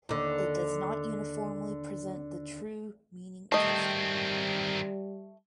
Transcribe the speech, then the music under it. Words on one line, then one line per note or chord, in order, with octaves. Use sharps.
It does not uniformly present the true meaning of history.
D#2 D3
D#3 G3 A3 C4 D#5